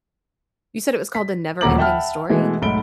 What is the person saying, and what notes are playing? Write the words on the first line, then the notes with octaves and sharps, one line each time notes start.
You said it was called The NeverEnding Story?
B6
D#1 D2 A#2 A#5 D6 F#7
E5 F#5 G5 A5 B5 F6
B2 E3 G#3 A3
B1 G#2 A3 B5 D7 G7